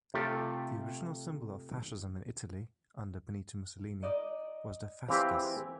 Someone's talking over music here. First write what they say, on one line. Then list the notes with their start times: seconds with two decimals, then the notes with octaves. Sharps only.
The original symbol of fascism, in Italy under Benito Mussolini, was the fasces.
0.14 C3 A3 F4 G4 A4
4.03 D#4 D5 D#5
5.08 E3 C4 G4 F5
5.40 G#4